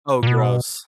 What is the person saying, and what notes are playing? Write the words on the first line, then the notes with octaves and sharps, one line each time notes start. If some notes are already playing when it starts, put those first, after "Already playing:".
Oh, gross.
A#2
B2